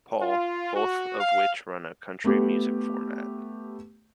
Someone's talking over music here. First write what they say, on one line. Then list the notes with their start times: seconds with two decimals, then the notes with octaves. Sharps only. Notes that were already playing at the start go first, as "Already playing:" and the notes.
Paul, both of which run a country music format.
0.21 F4
0.75 F#4
1.20 F5
2.24 A3 B3 G4